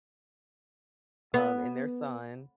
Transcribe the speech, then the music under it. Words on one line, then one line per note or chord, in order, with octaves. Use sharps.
um, and their son,
B3